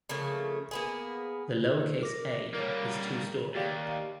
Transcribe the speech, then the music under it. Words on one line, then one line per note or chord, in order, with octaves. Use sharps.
The lowercase a is two-storey.
C#3 F3 A3 A#3
A#3 B3 G#4
A4
A#4 D6 A#6
G3 A#3 A#4 C#5
D#2 G4 D5 F5